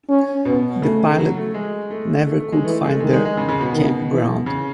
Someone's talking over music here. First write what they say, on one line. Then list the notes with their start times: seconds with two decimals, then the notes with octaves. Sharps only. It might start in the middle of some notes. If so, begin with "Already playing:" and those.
The pilot never could find their campground.
0.09 C#4
0.45 B2 B3
0.81 C#3 A3
1.18 F#3
1.37 A3
1.54 G#3
1.91 A3
2.27 A3
2.40 A3
2.52 G#3
2.64 E3 A3
2.84 G#3
2.88 A3
3.00 D#3 G#3
3.13 G#3
3.25 G#3
3.37 C#3
3.49 C#3
3.61 B2
3.73 D#3
4.10 E3
4.46 C#3